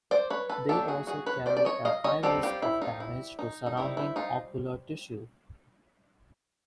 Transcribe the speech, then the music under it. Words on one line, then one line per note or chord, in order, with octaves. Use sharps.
They also carry a high risk of damage to surrounding ocular tissue.
C5 D5
B4 C#5
A4 B4
F#3 A#3 D4 G4 A4
F#4 G#4
F#4 G#4
B4 C#5
C5 D5
D5
C#5 D#5
D#5 F5
C#5 D#5
G3 C4 D#4 G4 A4
F4 G4
E4
D#4 F4
E4
D#4
D#4
G3 C4 D#4 E4
E4
D#4 F4